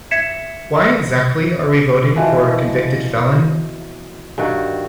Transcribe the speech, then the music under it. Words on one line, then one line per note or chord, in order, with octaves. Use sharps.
Why exactly are we voting for a convicted felon?
E5 G#6 B6 C#7 E7
B2 E3 F3
G2 D#3 F#4